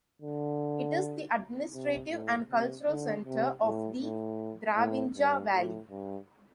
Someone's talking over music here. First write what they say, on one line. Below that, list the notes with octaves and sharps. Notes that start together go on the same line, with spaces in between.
It is the administrative and cultural centre of the Dravinja Valley.
D3
C3
A2
C3
D3
C3
A2
A2
A2
G2
A2
G2